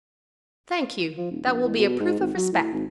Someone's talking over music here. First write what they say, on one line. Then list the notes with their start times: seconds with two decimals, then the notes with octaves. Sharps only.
"Thank you; that will be a proof of respect."
1.18 F3
1.31 D#1
1.45 A#1
1.64 E2
1.78 B2
2.00 G#2
2.19 G#1
2.35 F#3
2.53 A2
2.73 G#1